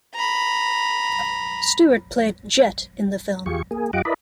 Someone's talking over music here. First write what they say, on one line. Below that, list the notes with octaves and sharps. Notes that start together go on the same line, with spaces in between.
Stewart played Jett in the film.
A#5 B5
E2 F4 G4 G#4 C#6
A#3 G#4
F#2 F4 G4 D#5 F#5 D6
E4 A#4 B4 D5 D#5 B5